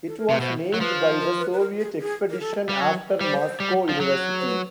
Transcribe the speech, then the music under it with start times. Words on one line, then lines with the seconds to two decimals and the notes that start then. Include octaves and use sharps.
It was named by the Soviet expedition after Moscow University.
0.08 A4
0.18 A#4
0.30 C3 B4
0.41 B2 C5
0.74 F#3 A#4
0.81 F3 B4
1.20 A#4
1.40 B4
1.53 B4
1.60 A#4
1.80 G#4
2.00 G#4
2.30 A#4
2.40 A4
2.69 G3
2.81 F#3
3.20 G3 C5
3.60 G3
3.89 F3
4.00 F#3
4.40 C5
4.47 B4